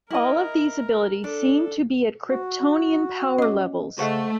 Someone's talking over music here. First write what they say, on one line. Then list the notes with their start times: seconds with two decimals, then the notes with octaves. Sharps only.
All of these abilities seem to be at Kryptonian power levels.
0.11 E4 A#4 D#5
1.24 D4 A4
2.27 F#4
3.38 C#4 D#5 D6
3.99 C#3 A3 C5 D#5 F5 F#5 C#6